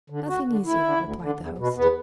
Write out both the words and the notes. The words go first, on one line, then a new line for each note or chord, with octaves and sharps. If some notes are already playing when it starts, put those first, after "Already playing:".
"Nothing easier," replied the host.
D3
D2 F#4
D3
D2 E4
D3
D2
D3
E2
B2
E2 B3